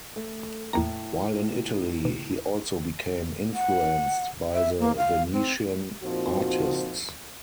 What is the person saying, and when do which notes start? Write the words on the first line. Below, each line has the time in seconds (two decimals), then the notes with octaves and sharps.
While in Italy he also became influenced by the Venetian artists.
0.16 A3
0.73 E2 A2 A#3 A#5
2.05 B2
3.54 F#5
4.54 E5
4.79 A#3
4.97 F5
5.32 C4
6.03 A#2 F3 C4 D#4 F#4